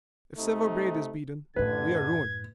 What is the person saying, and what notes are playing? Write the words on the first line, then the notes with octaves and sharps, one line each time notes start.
If Silver Braid is beaten we are ruined.
C3 A3 D#4
A1 F#2 A2 D3 B4 G#6